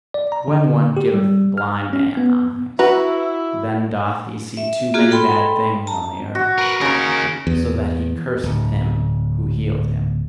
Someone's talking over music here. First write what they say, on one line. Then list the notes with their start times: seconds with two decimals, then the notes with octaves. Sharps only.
And when one giveth the blind man eyes, then doth he see too many bad things on the earth: so that he curseth him who healed him.
0.14 D5
0.32 A#5
0.48 D3
0.97 G4
1.14 G3
1.58 F6
1.93 C#4
2.17 B3
2.79 E4 F#4 B4 A#5
4.57 E5
4.94 A#3 F4 F#4 G#4
5.11 A4 G5 B5 C6
5.87 A5 A#5
6.35 F#4
6.58 A#4 B4
6.81 D#2 C#3 A#4 C#6
7.47 E2
8.44 D1